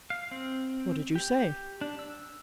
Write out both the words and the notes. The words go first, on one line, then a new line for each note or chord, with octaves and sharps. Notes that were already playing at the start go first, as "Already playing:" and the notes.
"What did you say?"
F5
C4
G4
D4
E6